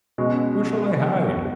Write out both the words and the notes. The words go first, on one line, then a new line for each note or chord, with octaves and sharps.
Where shall I hide?
B2 G#3 C#4 F#4